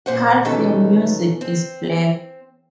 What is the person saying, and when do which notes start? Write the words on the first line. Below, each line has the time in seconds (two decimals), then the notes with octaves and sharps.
Half your music is black.
0.06 A#2 C5 F#5
0.45 B2 D#3 E3 C#4 D#4 A4
1.41 C4